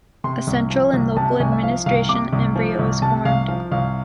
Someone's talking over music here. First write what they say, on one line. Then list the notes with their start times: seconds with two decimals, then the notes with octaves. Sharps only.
A central and local administration embryo is formed.
0.24 C3 C6
0.47 C2
0.70 F3
0.93 C2
1.16 C3 A5
1.40 C2 G#5
1.52 E5
1.63 F3 F5
1.86 C2 F5
2.09 C3 D6
2.33 C2
2.56 F3
2.79 C2
3.02 C3 A5
3.25 C2 F5
3.48 F3 F5
3.71 C2 F5